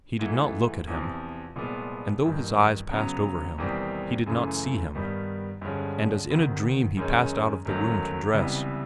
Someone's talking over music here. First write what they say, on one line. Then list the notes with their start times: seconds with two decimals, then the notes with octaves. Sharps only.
He did not look at him, and though his eyes passed over him, he did not see him; and as in a dream he passed out of the room to dress.
0.19 G#2 E3 A3
0.87 E2 C3 F3
1.56 C2 A#2 F3 G#3 B3
2.24 A1 G2 D#3
2.90 C#3 F#3 B3
3.58 E2 C3 D#3 G3 C4
4.26 F#2 C#3 E3 A3
4.94 G2 D#3 G3 B3
5.62 G2 D3 F3 G#3 C#4
6.30 D2 C3 D#3
6.97 F#2 D#3 G#3 C#4
7.65 G#1 F#2 D#3 F#3 A3
8.33 C#2 C3 E3 G3 B3